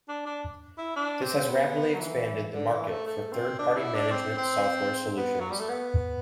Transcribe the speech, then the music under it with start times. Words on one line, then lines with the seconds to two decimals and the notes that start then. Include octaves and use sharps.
This has rapidly expanded the market for third-party management software solutions.
0.08 D4
0.26 D4
0.78 E4
0.96 D4
1.22 C4
1.49 B3
1.94 F#3
2.01 E3
2.54 D3
2.72 E3
2.89 A3
3.06 A3
3.32 C4
3.59 D4
3.77 E4
3.95 D4
4.11 C4
4.38 C4
5.17 B3
5.40 F#3
5.50 G3
5.60 A3
5.69 B3